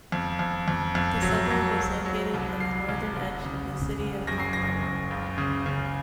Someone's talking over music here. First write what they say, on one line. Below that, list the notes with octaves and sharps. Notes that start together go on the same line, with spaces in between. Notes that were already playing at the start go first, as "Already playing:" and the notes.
The suburb is located on the northern edge of the City of Cockburn.
F2
F2
F2
F2
F#3
F#3
F#3
F#3
C2
C2 C7
C2
C2
C#3
C#3
F#1
F#2 A#6
C7
F#1 A#6
F#2
C#2
C#3
C#3